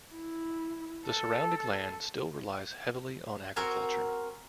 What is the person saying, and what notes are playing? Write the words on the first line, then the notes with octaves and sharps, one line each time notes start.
The surrounding land still relies heavily on agriculture.
E4
A4
C4 F#4 A#4 G#5